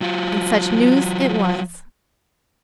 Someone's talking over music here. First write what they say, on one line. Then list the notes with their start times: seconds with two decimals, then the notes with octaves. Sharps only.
And such news it was!
0.01 F#3 F4